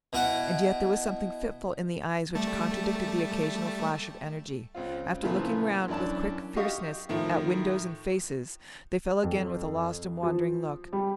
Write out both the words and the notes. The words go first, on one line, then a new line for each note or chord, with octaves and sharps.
And yet there was something fitful in the eyes which contradicted the occasional flash of energy: after looking round with quick fierceness at windows and faces, they fell again with a lost and wandering look.
B2 E4 F#5
G3 A3 A5
C#2 C4 F4
A#2 C#3 E3 F3 A3 B3
F#2 E3 D4 A5
F#4 G4 D#5 F5 C#6 D#6
A2 D#3 F3 A3
F2
F3
G3